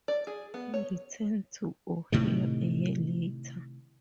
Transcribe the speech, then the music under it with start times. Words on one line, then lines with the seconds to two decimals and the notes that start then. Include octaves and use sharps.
He returned to Ohio a year later.
0.08 D5
0.27 G#4
0.54 B3
0.74 C#5
2.12 A2 C3 D#3